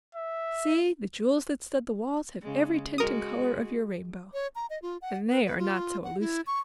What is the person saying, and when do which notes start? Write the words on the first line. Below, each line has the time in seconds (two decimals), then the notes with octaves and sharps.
See! the jewels that stud the walls have every tint and color of your Rainbow--and they are not so elusive.
0.15 E5
2.42 C#3 G#3
2.98 G#3 F#4 A#4 D#6
4.34 C#5
4.55 A#5
4.70 D#5
4.82 F4
5.02 F#5
5.27 B4
5.46 B4
5.59 F4
6.04 F#5
6.20 E4
6.47 C#6